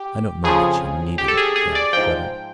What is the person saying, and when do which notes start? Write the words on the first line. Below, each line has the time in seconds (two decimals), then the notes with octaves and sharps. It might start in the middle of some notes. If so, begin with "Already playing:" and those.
I don't know that she need have shuddered.
Already playing: G4
0.44 F2 C#3 F3 G#4
1.18 G4
1.28 A4
1.37 G#4
1.56 G#4
1.75 D5
1.93 G#2 F3 G5